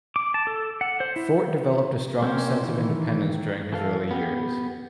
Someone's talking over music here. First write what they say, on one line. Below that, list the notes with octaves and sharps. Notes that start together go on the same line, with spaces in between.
Fort developed a strong sense of independence during his early years.
D6
A5
A4
F#5
C5
E4
A#3 C4 C#4 A#4 C5
D#3 E3
E3 A4 F5
B3 G4